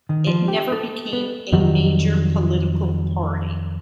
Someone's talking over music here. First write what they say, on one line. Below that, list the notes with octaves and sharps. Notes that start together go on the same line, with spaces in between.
It never became a major political party.
D#3
F3
G4
A4
B3
F2 D#3 F#3 G3